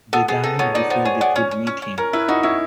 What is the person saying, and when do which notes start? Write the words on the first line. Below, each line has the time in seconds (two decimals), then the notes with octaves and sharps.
They died before they could meet him.
0.13 B3 A4
0.28 B3 G#4
0.43 D#4 A4
0.59 B3 C#5
0.74 D#4 D5
0.90 B3 C5
1.05 G#4 C#5
1.20 B3 D5
1.36 C#4 C#5
1.51 C#4
1.67 C#4
1.82 C#4
1.98 C#4 A#4
2.13 E4 B4
2.28 D#4 F#4
2.43 C#4 E4